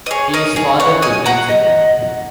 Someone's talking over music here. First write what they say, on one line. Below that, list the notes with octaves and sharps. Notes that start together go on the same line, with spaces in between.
He is father to three children.
D#5
G#4 C#5
A#4 D#5
G#4 C#5
C#5 F#5
D#5 G#5
F#5 A#5
D#5